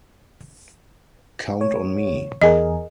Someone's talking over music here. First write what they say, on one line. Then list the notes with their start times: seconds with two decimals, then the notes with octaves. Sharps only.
Count on me...
1.61 C#5
2.42 E2 G#4 A#4 D#5